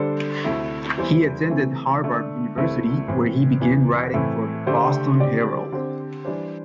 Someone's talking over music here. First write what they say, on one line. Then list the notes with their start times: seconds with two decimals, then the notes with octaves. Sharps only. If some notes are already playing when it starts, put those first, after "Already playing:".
He attended Harvard University where he began writing for the Boston Herald.
Already playing: D3 G3 D4 A4 C5
0.44 D2 C3 A3 C4 E4
0.97 E2 E3 G3 E4 C5
1.50 C3 E3 A3 C4
2.03 D3 A3 D4
2.56 C2 C3 A3 C4 E4
3.08 A2 E3 C4
3.60 E2 C3 E3
4.13 A2 E3 A3 C4 E4
4.66 D3 A3 D4 G4 C5
5.19 D3 C4 G4 D5
5.72 D3 C4 G4 C5
6.25 E3 G3 D4 C5